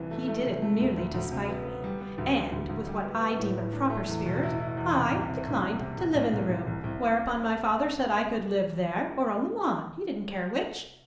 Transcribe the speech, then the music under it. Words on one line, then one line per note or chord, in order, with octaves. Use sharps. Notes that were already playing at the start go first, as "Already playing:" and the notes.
He did it merely to spite me, and, with what I deem a proper spirit, I declined to live in the room; whereupon my father said I could live there or on the lawn, he didn't care which.
Already playing: C2 E3 B3
A3
A3
C3
A3
D2
D2
D2
C3
B3
B3
G3
B3
D2
D3
D2
D2
G3
B3
B3
A2
A2
D4
A3
E2
B2
E4
E4
E2
C3
C2
C3
C2
G3
C3
C2
C2
C2
C2
C2
C2